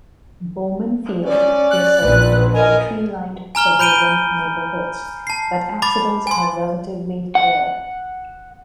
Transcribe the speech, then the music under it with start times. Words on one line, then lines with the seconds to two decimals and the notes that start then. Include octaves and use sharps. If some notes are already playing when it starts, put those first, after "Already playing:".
Bowman Field is surrounded by tree-lined suburban neighborhoods, but accidents are relatively rare.
1.25 C#4 D5
1.71 F#6
2.03 A#1 B4
2.54 A#4 D#5 G#5
3.55 G#5 A#5 F6 G7
3.79 B5 G6 D7 D#7 G7
5.27 A5 C7
5.82 B5 D6 A6
6.27 G#5 C6
7.35 F#5